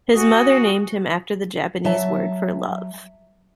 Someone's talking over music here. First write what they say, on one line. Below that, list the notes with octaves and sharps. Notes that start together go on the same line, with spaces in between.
His mother named him after the Japanese word for "love".
F#4 G#5 D#6
F#3 E5 A5